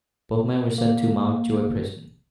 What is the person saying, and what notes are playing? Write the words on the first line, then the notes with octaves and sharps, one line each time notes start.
Both men were sent to Mountjoy Prison.
A#3